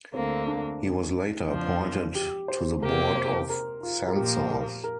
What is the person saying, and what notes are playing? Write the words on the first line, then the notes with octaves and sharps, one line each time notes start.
He was later appointed to the Board of Censors.
D2 D3 A#3 C4
D4
F2 F3 D4
G4
C5
C3 A#3 G4 A#4
C5
A#4
F4
A#4
A#2 F3 A#3 G4
A#4
A#4